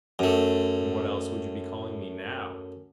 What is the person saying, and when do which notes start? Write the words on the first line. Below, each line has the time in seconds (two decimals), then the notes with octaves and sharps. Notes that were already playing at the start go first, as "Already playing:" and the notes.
"And what else would you be calling me now?"
0.19 F#2 A3